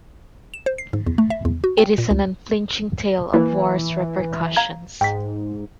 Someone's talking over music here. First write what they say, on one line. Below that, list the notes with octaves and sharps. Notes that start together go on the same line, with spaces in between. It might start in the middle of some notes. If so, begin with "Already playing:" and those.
It is an unflinching tale of war's repercussions.
E7
C5
C7
G#2
E2
A3
E5
E2
F#4
G5
A#2
C#2
E3 A#3 E4 B4
F5 A#5 G#6
G#2 G5 B6